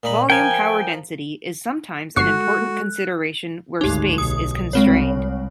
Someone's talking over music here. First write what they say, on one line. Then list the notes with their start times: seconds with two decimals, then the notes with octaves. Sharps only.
Volume power density is sometimes an important consideration where space is constrained.
0.03 A#2 D#4 B5
0.30 F3 A#4 G5 G#5
2.16 G1 G#3 F#4 A4 C#6 F#6 C7
3.81 G#1 D2 D#4 G4
4.18 B1 D#6
4.73 C2 G#3 C4 C#5